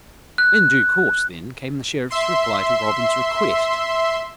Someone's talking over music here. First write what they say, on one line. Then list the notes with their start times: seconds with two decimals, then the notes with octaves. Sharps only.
In due course, then, came the Sheriff's reply to Robin's request.
0.38 F#6
2.10 E5 C6